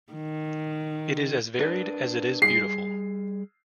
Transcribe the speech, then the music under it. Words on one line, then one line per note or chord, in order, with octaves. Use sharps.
It is as varied as it is beautiful.
D#3
D4 A#4 B4
G3 G#4 C7